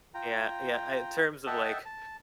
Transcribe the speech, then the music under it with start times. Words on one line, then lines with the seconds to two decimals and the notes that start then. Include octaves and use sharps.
Yeah yeah, in terms of, like,
0.14 F4 G5 A#5
1.46 A4 D#5 E5 F#5 G5 A5
1.85 A5